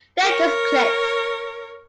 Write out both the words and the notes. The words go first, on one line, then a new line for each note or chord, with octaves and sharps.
They just clicked.
A#4 C#5